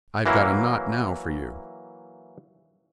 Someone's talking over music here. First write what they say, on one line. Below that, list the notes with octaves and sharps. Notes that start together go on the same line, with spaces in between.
"I've got a knot now for you."
E3 F#3 A#3 E4